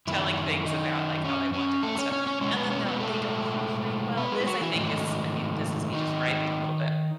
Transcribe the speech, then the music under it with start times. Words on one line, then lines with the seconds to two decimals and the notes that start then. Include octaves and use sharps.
telling things about, like, how they want different stuff, and then they'll they don't proofread well this I think is I mean, this is me just griping a little bit.
0.07 F#2 D#3 E4
0.65 D#3 D#4
1.25 C#4
1.54 C#4
1.83 A3 A4
1.98 C#4 C#5
2.12 C#4 C#5
2.27 C#4 C#5
2.41 B2 G#3 C#4 C#5
2.56 B3 B4
2.70 C#4 C#5
2.86 B3 B4
3.00 A3 A4
4.17 B3 B4
4.32 G#3 G#4
4.41 E4
4.46 F#3 F#4
4.61 E3 E4
4.75 G#2 D#3 F#3 A3 D#4
5.93 D#3 D#4